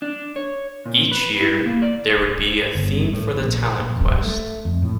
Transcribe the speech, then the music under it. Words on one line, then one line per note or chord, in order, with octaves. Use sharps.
Each year, there would be a theme for the Talent Quest.
D4
C#5
A#2
B4
E4
A#3
D5
G1
A2
A#1
A#1
F#2
G2
A3
F2
A2